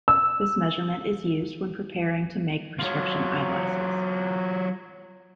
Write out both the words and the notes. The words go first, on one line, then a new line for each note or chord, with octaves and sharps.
This measurement is used when preparing to make prescription eyeglasses.
E6
F#3 F4